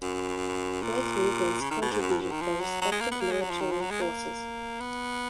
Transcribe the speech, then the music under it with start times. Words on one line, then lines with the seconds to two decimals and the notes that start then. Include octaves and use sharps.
Both movements contributed their respective military forces.
0.02 F#2
0.82 A#2
1.61 C#3
1.71 D#3
1.82 B2
1.92 G#2
2.01 F#2
2.11 F2
2.21 F#2
2.31 D#3
2.41 F3
2.61 F#3
2.82 F#3
2.92 G#3
3.01 A#3
3.12 B3
3.21 A#3
3.31 G#3
3.41 F#3
3.51 F3
3.61 D#3
3.71 F3
3.81 F#3
3.91 G#3
4.02 A#3
4.80 B3